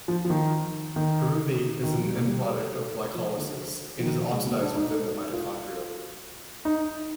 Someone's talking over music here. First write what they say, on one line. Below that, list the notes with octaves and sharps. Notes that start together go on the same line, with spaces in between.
Pyruvate is an end product of glycolysis, and is oxidized within the mitochondria.
F3
F3
D#3
D#3
D#3
F3
G3
A#3
G3
F3
D3
F3
D#3
F3
G#3
A#3
D4
D#4
F4
D#4